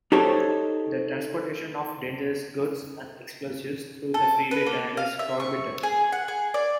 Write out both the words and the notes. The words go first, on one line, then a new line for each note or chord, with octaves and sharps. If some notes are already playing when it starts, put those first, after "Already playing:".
The transportation of dangerous goods and explosives through the freeway tunnel is prohibited.
D#4 G4 A4 C5 C#5
A4
B4
A#3
F5
E5
C#6
G#4
F#5
G#4
D5